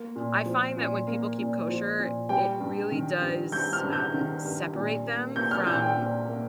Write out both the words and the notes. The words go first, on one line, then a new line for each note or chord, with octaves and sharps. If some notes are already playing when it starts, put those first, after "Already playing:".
I find that when people keep kosher, it really does, um, separate them from
Already playing: A#3
A#2
F3
A#2
A#3
A#2
F3
A#2
G3 G5
G2
D#3
G2
G3 G6
F6
G2
G6
D#3
G2
A#2
A#3
A#3 G6
F6
A#2 G6
G5
A#2
A#3